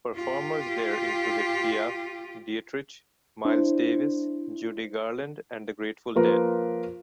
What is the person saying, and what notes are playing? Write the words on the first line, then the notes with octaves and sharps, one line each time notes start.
Performers there included Piaf, Dietrich, Miles Davis, Judy Garland and the Grateful Dead.
F4 G4
D4 E4 C5
F3 A#3 F4 A#4 B4